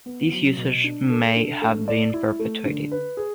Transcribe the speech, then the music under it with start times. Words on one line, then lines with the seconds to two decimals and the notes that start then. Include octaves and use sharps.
This usage may have been perpetuated.
0.06 B3
0.32 F#3
0.58 B2
0.84 D4
1.10 A4
1.36 D4
1.62 A3
1.88 D5
2.14 E4
2.39 A3
2.65 D3
2.92 B4
3.17 G#4